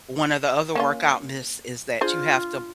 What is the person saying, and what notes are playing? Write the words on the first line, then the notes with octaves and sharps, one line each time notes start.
one of the other workout myths is that you have to
A#3 C#4 F4
D4 F4 G#4 C5